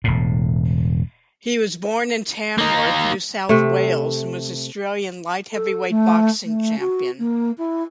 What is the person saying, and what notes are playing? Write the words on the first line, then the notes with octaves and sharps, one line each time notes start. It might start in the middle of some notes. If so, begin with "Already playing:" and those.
He was born in Tamworth, New South Wales and was Australian Light-Heavyweight Boxing Champion.
E1 A2
A#3 D#4
C3 A3
A4
A3
A3
F#4
A#3
E4